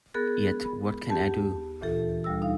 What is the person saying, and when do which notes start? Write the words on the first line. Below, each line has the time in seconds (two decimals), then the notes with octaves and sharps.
Yet what can I do?
0.14 B3 G#4 A#4 F#6 A6
0.65 B5
1.10 D#2 G4 A5
1.81 D2 A#2 E3 F4 A4
2.24 D2 G3 E6
2.42 D#4 F5